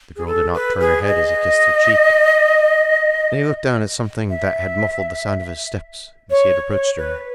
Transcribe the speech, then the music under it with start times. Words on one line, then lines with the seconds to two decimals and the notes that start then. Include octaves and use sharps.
The girl did not turn her head as he kissed her cheek, and he looked down at something that had muffled the sound of his steps as he had approached her.
0.16 G#4
0.27 A4
0.54 B4
0.81 G#4
1.07 D#5
4.30 E5
6.30 C#5
6.71 C#5
6.97 B4